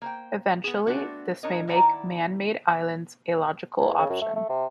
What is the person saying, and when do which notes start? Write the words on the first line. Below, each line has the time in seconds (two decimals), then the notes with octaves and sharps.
Eventually, this may make man-made islands a logical option.
0.02 A#3 C5 G5
0.64 B3 G#4
0.87 A3 B3 C4 D4 F#4
1.43 D4 D#4 A#4 C#5 D#5
1.67 D#3 E4 D5 F#5 A#5
3.80 E2
3.99 C#3
4.10 F#2
4.22 A3
4.36 A3
4.50 C3